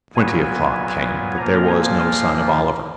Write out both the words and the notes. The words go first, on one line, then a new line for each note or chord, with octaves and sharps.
Twenty o'clock came, but there was no sign of Oliver.
A#2 F#3 B3 G#5
A#2 F3 A#3 A#5
G#5
F5